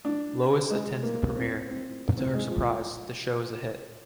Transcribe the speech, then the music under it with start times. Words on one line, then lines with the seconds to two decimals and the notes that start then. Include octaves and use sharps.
Lois attends the premiere, but to her surprise, the show is a hit.
0.05 D4
0.70 G#3
1.03 A#3
1.36 C4
1.68 C4
2.17 C4
2.34 G#3
2.50 F3